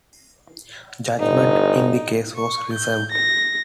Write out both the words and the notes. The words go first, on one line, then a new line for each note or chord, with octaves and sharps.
Judgement in the case was reserved.
G1 D#4
C#6
G6
A#6